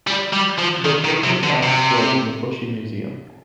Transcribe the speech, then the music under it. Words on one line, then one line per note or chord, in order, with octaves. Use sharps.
Their paintings are on display in the Bushey Museum.
G3
G3
F3
D#3
D#3
C3
D3
C3